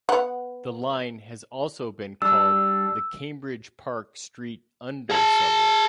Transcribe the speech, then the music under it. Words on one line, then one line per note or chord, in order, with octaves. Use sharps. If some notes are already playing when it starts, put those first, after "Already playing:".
The line has also been called the Cambridge–Park Street Under subway.
B3 F#5
G3 D4 E6
G#4 A5